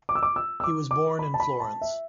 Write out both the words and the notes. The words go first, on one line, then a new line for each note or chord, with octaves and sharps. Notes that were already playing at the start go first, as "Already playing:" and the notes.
He was born in Florence.
D6
E6
D6
E6
E6
D6
D6
B5
A5
B5
A5
E5